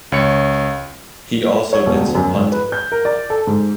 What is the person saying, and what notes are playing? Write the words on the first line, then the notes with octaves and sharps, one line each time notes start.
He also did some punting.
C#2 C#5 C#7
C#5
E1
D2
F#2
G#2
B4
G6
A#4
D5
A4
G#2